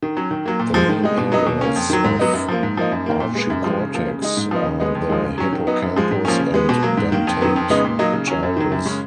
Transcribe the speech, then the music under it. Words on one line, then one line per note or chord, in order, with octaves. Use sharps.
The main areas of archicortex are the hippocampus and dentate gyrus.
D#3
F#3 C#4
D#3
F#3 A#3
A#2
F3 G#3
D#3
G#3 D#4
B2
F#3 B3 D#4
B2
A#3 C#4
F2
D#3 F#3
G#2
F#3 B3 D#4
F#2
F3 A#3
G#2
F3 A#3 D#4
F#2
D#3 A#3
A#2
G#3 B3
F#2
F3 G#3
C#3
F3 A#3
C#3
G#3 D#4
G#2
F3 B3 D#4
C#3
G#3 B3 D#4
F2
F3 G#3 D#4
C#3
F#3 C#4
D#3
F#3 B3 D#4
F#2
F3 G#3
G#2
F3 A#3 C#4
C#3
G#3 B3
B2
F#3 A#3
G#2
D#3 A#3
F2
D#3 F#3 B3
F2
C#3 G#3 B3 D#4
A#2
F#3 A#3 D#4
C#3
F#3 C#4
F#2
D#3 F#3
F#2
C#3 G#3 C#4